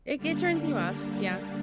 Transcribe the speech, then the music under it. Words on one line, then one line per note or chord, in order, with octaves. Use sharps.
It it turns you off. Yeah.
D3 G3 A#3 D4